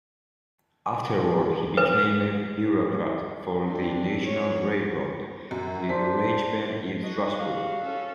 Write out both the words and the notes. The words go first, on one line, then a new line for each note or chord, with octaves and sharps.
Afterwards, he became a bureaucrat for the national railroad, the Reichsbahn, in Strasbourg.
B4
C4 D4
C#5
F#2
D4 C5 B6
F#4 D#5
F5
C#4 A4